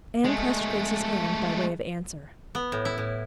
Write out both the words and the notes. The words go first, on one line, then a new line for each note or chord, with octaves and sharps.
Anne pressed Grace's hand by way of answer.
G#3 A3
B3
A2
E4
A2